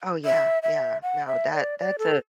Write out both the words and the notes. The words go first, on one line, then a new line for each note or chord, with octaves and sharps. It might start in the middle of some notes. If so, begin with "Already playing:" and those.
Oh, yeah, yeah, no. That that's a
E5
E5
F#5
E5
D5
D5
A4